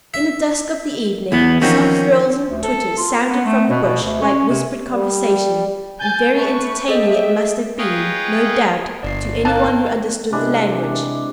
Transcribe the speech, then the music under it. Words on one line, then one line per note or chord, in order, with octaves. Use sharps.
In the dusk of the evening, soft thrills and twitters sounded from the bush, like whispered conversation; and very entertaining it must have been, no doubt, to any one who understood the language.
E5
E2 E3 B3
D#3 F3 C4 C#4 F#4
D2
A4
F4
B3
A3
B2
B2
D2
C#4
C3
G3
G#5 G6 A6
A3 B4 C#6
G#4 A4 D#5 E5 G5
G#4 B4 C#5 D#5 F5 G5
G1 D5 C7
A#3 D#4 F5 A5 F#6
C3 G#3 D4 E4